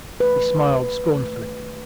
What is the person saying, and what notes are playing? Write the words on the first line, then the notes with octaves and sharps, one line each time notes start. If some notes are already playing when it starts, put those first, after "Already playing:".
She smiled scornfully.
E3 A3 B4
D#3 A3